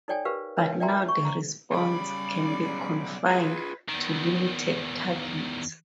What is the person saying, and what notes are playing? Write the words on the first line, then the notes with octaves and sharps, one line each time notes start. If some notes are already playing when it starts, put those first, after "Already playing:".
But now the response can be confined to limited targets.
D#4 A4 C#5 D5 G5 G#5
G4 A#4 B4 F5
C#4 D#4 A#4 B4 C#5
D5 E5 G5 G#5 A#5 C6
C#6
A#5
B1 C#3 G3 D5 B5
F4 G#4 B4
E2 D#3